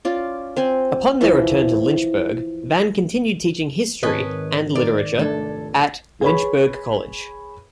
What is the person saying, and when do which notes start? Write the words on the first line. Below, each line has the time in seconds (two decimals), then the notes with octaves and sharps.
Upon their return to Lynchburg, Van continued teaching history and literature at Lynchburg College.
0.05 C#4 F4 D5
0.56 C4 C5 G#5
1.21 E3 F3 E4
4.03 G#2 D#3 C4 B4 C#5 D#5 G#5 A5
4.75 D#4 A#4 D5
5.19 F1 A3 D4 A4 G#6
6.21 G#4 B4 C#5 B5